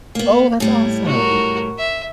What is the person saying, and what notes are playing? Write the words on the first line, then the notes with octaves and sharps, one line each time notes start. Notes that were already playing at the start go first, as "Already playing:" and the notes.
Oh, that's awesome!
A#3 B3
A2 G3 E4
F#4 A#4
E5